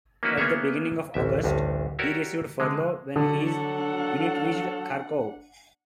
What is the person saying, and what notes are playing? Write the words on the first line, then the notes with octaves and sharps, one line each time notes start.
At the beginning of August, he received furlough when his unit reached Kharkov.
A#3 C#4 D#4 E4 F#4 B4
A#3 B3 C#4 G#4 C#5 E5
A1 D2 E5
A1 D2 G2
E4 F#4 G4 A#4 C#5 D5
D3 G#3
D3 F#3 D4 A4 F#5